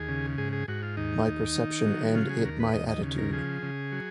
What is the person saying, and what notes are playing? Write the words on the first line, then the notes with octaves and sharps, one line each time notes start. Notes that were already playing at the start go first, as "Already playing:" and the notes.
My perception and it my attitude.
Already playing: D#2 G#4
C#3
G#2 G#4
G#4
G#2 F#4
F4
D#2 D#4
D#2
D#3
F#3
C#3 F4
G#4
D#2 A#4
B4
D#2 D#5
D#5
C#3
A#4
F3 G#4
C#3
F#3